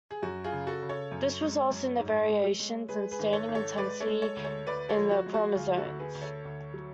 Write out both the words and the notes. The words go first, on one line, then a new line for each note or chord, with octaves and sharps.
This results in the variations in staining intensity in the chromosomes.
G#4
F#2 F#4
F4 G#4
C#3
F#4 A4
C#3
A4 C#5
F#2
G#3
F#2
G#2
G#3
G#3
G#3 G#4 B4
G#4 B4
G#1
A4 C#5
G#1
A4 C#5
G#3 B4 D5
A4 C#5
G#3
A4 C#5
D2
A4 C#5
D2 B4 D5
A4 C#5
F3
F#4
G#3
F#4
D2 F4 G#4
F#4 A4
D2
G#4 B4
D2
A4 C#5
D2
F#3